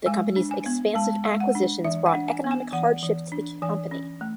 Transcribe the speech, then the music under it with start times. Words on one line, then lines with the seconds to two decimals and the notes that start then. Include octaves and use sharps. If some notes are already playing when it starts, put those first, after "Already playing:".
The company's expansive acquisitions brought economic hardship to the company.
0.06 G#3 G#5
0.36 D4
0.51 G#5
0.66 B3
0.95 G#3 A5
1.25 G#3
1.40 F#5
1.55 D4
1.85 E3 E5
2.06 F#5
2.14 D4
2.29 G#5
2.44 B3
2.51 G#5
2.73 E3 F#5
3.03 E3
3.32 D4
3.62 E3 G#5
3.91 C#4
4.21 A3